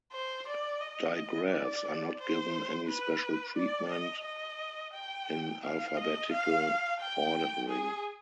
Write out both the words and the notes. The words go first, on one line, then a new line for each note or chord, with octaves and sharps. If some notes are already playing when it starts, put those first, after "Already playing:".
Digraphs are not given any special treatment in alphabetical ordering.
C5
D5
D#5
D5
C5
B4
D5
D#5
D#5
G5
F5
D#5
F5
G5
G#4